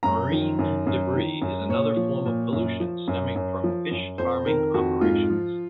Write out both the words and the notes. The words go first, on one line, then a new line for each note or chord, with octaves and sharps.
Marine debris is another form of pollution stemming from fish farming operations.
F#2 A#5
D#3
F#2
F#2
D#3
F#2
A#2 C#5
F3
A#2
F#2
F3
F#2
F#2
F3
F#2
F2 C5
D#3 A#4
F2 F#4
G#2 F4
F3